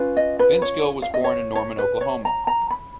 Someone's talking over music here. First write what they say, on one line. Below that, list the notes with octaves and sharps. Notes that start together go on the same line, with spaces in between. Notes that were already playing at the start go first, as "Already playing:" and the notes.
Vince Gill was born in Norman, Oklahoma.
Already playing: C#4 F4 B4
D#5
B4
C#5
F5
D#5
C#5
C#5
B4
C#5
A#5
A#5
B5